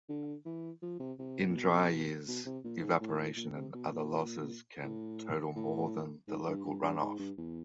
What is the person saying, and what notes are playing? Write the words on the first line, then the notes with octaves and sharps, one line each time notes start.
In dry years, evaporation and other losses can total more than the local runoff.
D3
E3
F3
C3
C3
A#2
B2
B2
C3
A#2
G#2
A2
A2
A#2
C3
B2
A#2
A2
A2
G#2
G2
G2
G2
G#2
G2
E2